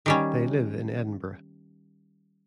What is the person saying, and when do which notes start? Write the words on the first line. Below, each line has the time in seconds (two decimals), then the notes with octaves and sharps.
They live in Edinburgh.
0.06 D#3 G3 C#4